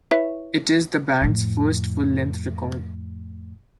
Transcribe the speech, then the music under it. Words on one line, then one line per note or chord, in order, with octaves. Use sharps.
It is the band's first full-length record.
E4 B4 C#5
F2 A2